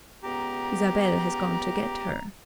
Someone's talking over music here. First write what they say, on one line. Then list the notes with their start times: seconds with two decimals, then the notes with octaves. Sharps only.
Isabel has gone to get her.
0.23 C#2 B3 G4 A#5